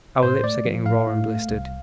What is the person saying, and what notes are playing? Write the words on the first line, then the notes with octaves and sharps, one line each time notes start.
Our lips are getting raw and blistered.
A2 C5
A3 D5
F3
A2 F5
A2
A3
C2